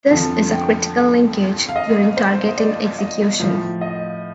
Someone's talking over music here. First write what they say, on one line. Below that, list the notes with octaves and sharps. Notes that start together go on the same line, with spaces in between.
This is a critical linkage during targeting execution.
F2 D3 F3 A5
G5
F5
D#5
C5
D#5
D5
D#5
A2 F3 F5
D#5